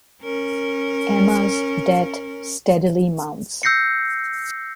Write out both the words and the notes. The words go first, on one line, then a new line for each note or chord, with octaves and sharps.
Emma's debt steadily mounts.
C#4 A#4
E6 G6 A#6 C7 C#7